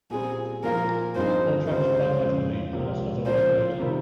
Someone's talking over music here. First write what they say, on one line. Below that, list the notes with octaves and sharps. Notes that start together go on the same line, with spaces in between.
All tracks by Mudhoney unless otherwise noted.
A#2 G3 C4 G#4
A#2 F3 A#3 F4 A#4
G2 F3 C4 D#4 G#4 C5
C#2 C#3 G3 C4 C5
F2 C#3 G#3 C#4 G#4
C#2 C3 F3 A#3
C#3 F3 A#3 C5
C3 D#3 G3